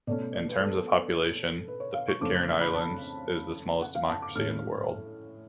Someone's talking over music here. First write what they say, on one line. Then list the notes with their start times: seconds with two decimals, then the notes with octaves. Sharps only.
In terms of population, the Pitcairn Islands is the smallest democracy in the world.
0.07 B2 A3 C#4 D5
0.34 D5
0.49 B4
0.60 A4
1.68 B4
1.80 C#5
1.94 F5
2.08 C#6
2.21 F2 C#3 F3 A3 C#4 D6
2.35 F#6
2.48 F6
2.61 B5
2.74 A5
3.82 F#5
3.95 F5
4.09 A5
4.22 D6
4.36 A2 G#3 C#4 F6